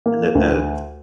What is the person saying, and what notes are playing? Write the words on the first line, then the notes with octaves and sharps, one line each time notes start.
And, eh, that
A#3
D2